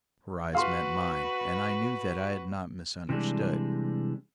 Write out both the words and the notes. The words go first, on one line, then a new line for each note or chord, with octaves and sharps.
Her eyes met mine and I knew that I had not misunderstood.
F#4 B4 F5 C6
C3 E3 G3 G#3 D4